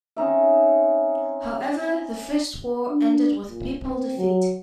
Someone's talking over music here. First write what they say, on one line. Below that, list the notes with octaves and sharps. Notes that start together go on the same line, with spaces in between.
However, the first war ended with Papal defeat.
C4 C#4 D#4 E5
D4
A#2
C4
F#3